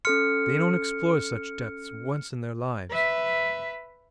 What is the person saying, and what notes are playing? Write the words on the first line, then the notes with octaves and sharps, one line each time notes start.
They don't explore such depths once in their lives.
C#4 A4 C6 F6 C#7
B4 E5